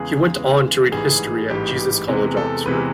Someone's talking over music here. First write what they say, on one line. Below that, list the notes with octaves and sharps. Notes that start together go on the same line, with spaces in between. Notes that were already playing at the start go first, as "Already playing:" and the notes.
He went on to read history at Jesus College, Oxford.
Already playing: E2 C#3 E3 G#3 G#4
E2 C#3 E3 G#3
A1 G#2 E3 G3 G#4
A1 G#2 E3 G3 G4
E2 C3 E3 G#3
A4
E2 C3 E3 G#3 B4